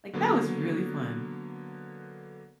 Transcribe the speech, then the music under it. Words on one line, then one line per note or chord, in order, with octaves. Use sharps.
"Like, that was really fun!"
D3 F#3 A#3 B3